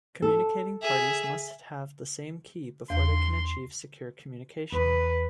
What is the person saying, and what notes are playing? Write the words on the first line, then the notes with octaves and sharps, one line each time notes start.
Communicating parties must have the same key before they can achieve secure communication.
A4
G#4 E5
E2 C6
E2 B4